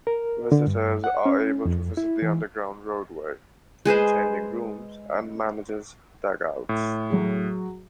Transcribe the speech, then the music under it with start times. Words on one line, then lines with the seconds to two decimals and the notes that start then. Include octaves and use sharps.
Visitors are able to visit the underground roadway, team changing rooms and managers dugouts.
0.07 A#4
0.52 D3
0.67 G2
1.04 F#5
1.26 C#4
1.66 F2
1.97 E4
2.22 E3
3.85 G#3 G#4 B4 C5
6.69 A2
7.10 F#3 F#4 G#4